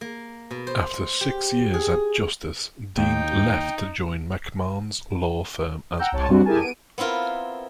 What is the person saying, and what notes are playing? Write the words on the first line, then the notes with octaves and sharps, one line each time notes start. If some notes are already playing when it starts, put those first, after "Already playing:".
After six years at Justice, Dean left to join McMahon's law firm as partner.
A#3
B2
C5
G4
G#4
D#2 D#4 G5
F#5 G5 A#5 E6 G6
C2 C#5 A5
G3 C4 D4 F#4
E4 G4 G#4 A#4 G#5 A5
B3 D7 D#7
B3 C4 E4 F4 A#4